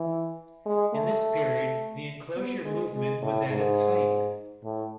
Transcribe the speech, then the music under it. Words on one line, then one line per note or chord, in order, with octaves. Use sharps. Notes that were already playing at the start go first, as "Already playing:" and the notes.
In this period, the enclosure movement was at its height.
Already playing: E3
G#3
A3
B3
G#3
G#3
A2
G#2
A2